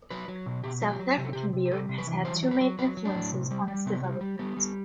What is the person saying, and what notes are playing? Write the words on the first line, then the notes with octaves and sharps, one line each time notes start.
South African beer has had two main influences on its development.
F#3 B4
F#3
B2
B2 G4
F#3
G4
F#3
C3 G4
A4
C3 G4
C3
G4
G3 A4
C3
B4
E3
F#3 C5
F#3
B4
F#3
F#3 B4
F#3
D4
A2
C3
G3
G3
C3 B3
G3
G3
G3 B3
G3